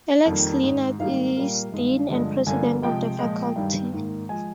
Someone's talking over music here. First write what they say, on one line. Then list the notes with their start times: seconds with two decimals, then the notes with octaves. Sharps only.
Alex Lienard is Dean and President of the faculty.
0.25 F2 D#3 G3 A#3
0.63 G#2 D#3 G#3
0.99 G#2 D#3 G3 A#3 F5
1.37 A#2 G3 A#3
1.72 G2 D#3 G#3
2.09 G2 D3 F3 G#3
2.47 G2 D3 F3 A#3 G#5
2.83 C3 F3 G#3 G5
3.19 A#2 F3 G#3
3.56 G2 D#3 G3
3.93 G#2 D#3 A#3
4.29 F3 G#3 G#5